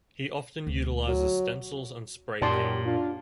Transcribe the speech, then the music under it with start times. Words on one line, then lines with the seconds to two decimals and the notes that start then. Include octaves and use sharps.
He often utilizes stencils and spray paint.
0.67 D2
1.08 F#3
2.42 F#2 A#2 D#4 G4 D5 A5 C6
2.84 D4 F4